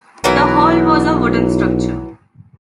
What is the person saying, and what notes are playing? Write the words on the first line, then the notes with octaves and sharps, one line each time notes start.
The hall was a wooden structure.
B1 E3 F#3 A#4